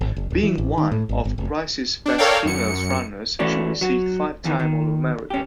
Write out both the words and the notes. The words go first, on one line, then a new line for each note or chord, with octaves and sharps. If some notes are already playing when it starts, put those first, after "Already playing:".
Being one of Rice's best female runners she received five time All America.
G#1
F#1
D1
E3
A1
D#3
A2
G#1
G1
F1
D4
A4 A#4 C#5 D5 F5 G5
F#2 C#7
E3 A3 C#4 F#4 D5
F#3 F#4
E2 D#3 E3
D#3
C#4 G4